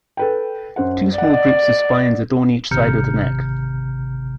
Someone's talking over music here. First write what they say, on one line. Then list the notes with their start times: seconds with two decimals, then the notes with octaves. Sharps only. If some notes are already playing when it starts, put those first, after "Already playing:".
Two small groups of spines adorn each side of the neck.
0.17 A4 B4 G5
0.76 F#2 C5 F#5
1.18 D5 D#5 F#5
2.71 G#1 C3 A#5 F6 G6 C#7